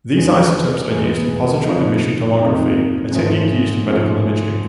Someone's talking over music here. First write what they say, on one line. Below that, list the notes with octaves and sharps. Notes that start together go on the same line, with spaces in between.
These isotopes are used in positron emission tomography, a technique used for medical imaging.
E2 B2 G#3 B3
E2 B2 G#3 B3
F2 C3 F3 A#3 D#4
F2 C3 F3 A#3 D#4
G#2 F3 A3 C#4
G#2 F3 A3 C#4